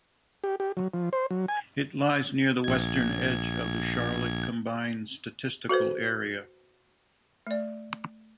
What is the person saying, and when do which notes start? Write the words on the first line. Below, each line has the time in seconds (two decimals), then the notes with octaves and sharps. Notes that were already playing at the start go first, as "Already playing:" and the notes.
It lies near the western edge of the Charlotte combined statistical area.
0.44 G4
0.60 G4
0.77 F#3
0.94 F3
1.13 C5
1.31 F#3
1.48 G#5
2.64 A#1 G#6
5.69 F#4 A4 B4 C5
7.47 A3 D5